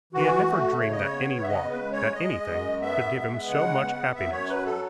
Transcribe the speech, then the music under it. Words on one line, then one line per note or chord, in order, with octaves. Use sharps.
He had never dreamed that any walk--that anything--could give him so much happiness.
E3 F#4
A3
C#3 C#5
D#5
C#5
B3
E5
C#3 D#5
B4
G#3
C#5
G#3 D#5
F#2
B3 E5
G#3
C#3 F#5
B3
F#2 E5
C#5
F#3 B4
A4